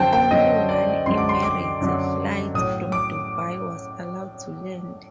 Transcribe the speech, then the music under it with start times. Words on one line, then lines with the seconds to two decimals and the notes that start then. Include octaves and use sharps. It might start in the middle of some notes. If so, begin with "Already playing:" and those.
Only one Emirates flight from Dubai was allowed to land.
Already playing: F#2 D3 F#3 C5 G5 A5
0.13 G5
0.31 F#2 D3 F#3 D#5
0.69 D5
1.06 F#2 D3 F#3 C6
1.17 D6
1.29 C6
1.43 D6
1.80 F#2 D3 F#3
2.54 A2 F#3 D#6
2.92 D6